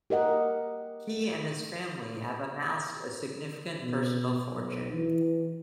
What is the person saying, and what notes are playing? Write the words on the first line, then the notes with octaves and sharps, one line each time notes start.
He and his family have amassed a significant personal fortune.
G4 A#4 D#5 F#5
B2
B1
E3